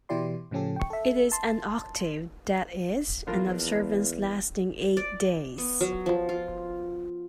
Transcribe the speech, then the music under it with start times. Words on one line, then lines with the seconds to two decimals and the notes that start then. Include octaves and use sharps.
It is an octave, that is, an observance lasting eight days.
0.09 B2 E3 E4 G4 D5 C6
0.51 A2 C#3 F3 C#4 G4 A4
0.76 G5 C#6
0.90 A4 E5
1.32 A5 C6
3.27 A#1 E2 F4 A#4
4.97 D5
5.58 B3
5.81 F#3
6.06 F3
6.29 F4